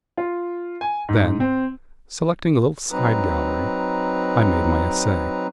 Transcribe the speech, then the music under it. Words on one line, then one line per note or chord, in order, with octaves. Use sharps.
Then, selecting a little side gallery, I made my essay.
F4
G#5
G#2
C4
F#3 C4 D#4 B4 A#5